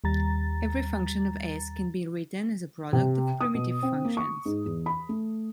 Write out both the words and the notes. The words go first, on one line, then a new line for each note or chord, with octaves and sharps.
Every function of "S" can be written as a product of primitive functions.
D#2 G3 A#5 A6
C3
D#6
B2
C4
A#3
C#6
G#2
E2
B5
A3